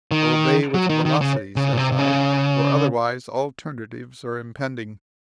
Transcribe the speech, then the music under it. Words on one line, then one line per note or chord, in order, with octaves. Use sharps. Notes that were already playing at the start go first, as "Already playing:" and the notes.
Obey with velocity,' says I, 'for otherwise alternatives are impending.
D#3
F#3
D#3
D#3
C#3
C#3
A#2
C3
C3
C#3